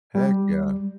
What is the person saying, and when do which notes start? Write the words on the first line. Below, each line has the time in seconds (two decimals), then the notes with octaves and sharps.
Heck yeah.
0.15 G3